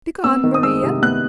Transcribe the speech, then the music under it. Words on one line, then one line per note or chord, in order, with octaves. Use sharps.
Begone, Maria!
B3 E6
D#3
D#6
G#3 E6
C3
B3 F#6